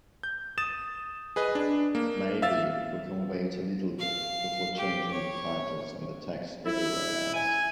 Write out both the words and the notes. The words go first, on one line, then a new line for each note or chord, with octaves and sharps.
Maybe we can wait a little bit before changing the titles and the text everywhere else?
G6
D#6 A6 E7
G#4 B4 D#5
D4
A#3
E5 F5 E6 A6
F5
G4
C#5
E4
G#5